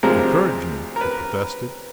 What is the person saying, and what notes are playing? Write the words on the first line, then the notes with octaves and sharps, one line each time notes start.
"Encouraged me!" he protested.
D2 C3 F3 G#3 A#4
A#4
B4